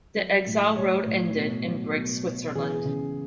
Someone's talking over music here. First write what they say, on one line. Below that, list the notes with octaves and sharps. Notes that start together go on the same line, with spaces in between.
The exile road ended in Brig, Switzerland.
F#3
A2
A2 C#5
A2
B2
F#3
B2
B2
E3 G#4
C#3